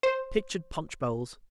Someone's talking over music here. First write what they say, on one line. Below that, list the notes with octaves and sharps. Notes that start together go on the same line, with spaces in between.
Pictured punch-bowls.
C5